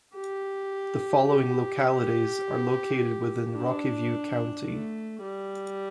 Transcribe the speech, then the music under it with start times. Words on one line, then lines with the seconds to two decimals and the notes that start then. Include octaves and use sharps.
The following localities are located within Rocky View County.
0.15 G4
1.28 G4
3.54 D4
4.67 A3
5.22 G3